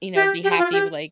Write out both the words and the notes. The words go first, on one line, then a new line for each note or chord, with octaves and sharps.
you know, be happy with, like,
G4
G4
F4
G4